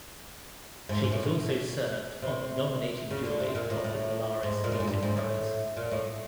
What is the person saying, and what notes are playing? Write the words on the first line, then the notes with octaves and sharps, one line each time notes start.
She has also served on the nominating jury of the Polaris Music Prize.
G#2
G#2
A2
B2
C3
C#3
D3
C3
A#2
A2
A2
G#2
A#2
A2
G#2
G2
G#2
A2
A#2
A2